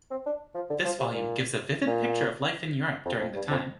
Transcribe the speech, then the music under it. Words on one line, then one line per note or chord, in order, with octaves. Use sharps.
This volume gives a vivid picture of life in Europe during the time.
C4
D4
F3
D3
F3
C3
A#2
A#2
F2
F2
G2
F2